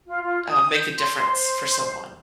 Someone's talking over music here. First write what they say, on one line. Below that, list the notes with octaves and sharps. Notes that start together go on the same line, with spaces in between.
uh, make a difference for someone?
F4
F4
D#6
G6
C6
C5